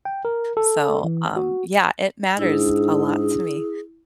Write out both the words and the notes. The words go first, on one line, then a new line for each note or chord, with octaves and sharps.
so, um, yeah, it matters a lot to me,
G5
A#4
A4
E3
F#4
G#2 D4 E4 G#4